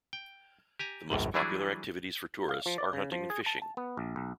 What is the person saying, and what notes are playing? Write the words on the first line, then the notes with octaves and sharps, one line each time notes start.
The most popular activities for tourists are hunting and fishing.
G5
G4 G#5 A#5
G#1 C#2 F#2 A2
E3 F#3 G3 D4 E4 G#4
F5
F3
D5
C#3
F3
G#4
A5
A5
B3
A#1
B1